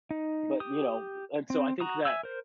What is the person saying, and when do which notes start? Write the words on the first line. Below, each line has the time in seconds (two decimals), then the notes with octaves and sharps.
"but, you know" And, so, I think that
0.11 D#4
0.60 G4 D#6
1.50 C4
1.80 F#4 A#5 D#6
2.05 E5 G#5 E6
2.23 A#4 C5